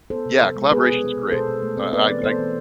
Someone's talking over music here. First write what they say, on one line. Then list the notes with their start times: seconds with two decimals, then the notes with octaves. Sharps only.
Yeah. Collaboration's great. Uh, I I
0.10 B3 A4 C5
0.26 C3
0.41 F3
0.56 G#3
0.71 B3 G#4 B4
0.86 B2
1.01 B3
1.16 B2
1.32 B2 A4 C5
1.48 B2
1.62 A3
1.77 C4
1.92 B3 B4 D5
2.08 E3
2.23 B3 A4 C5
2.39 E3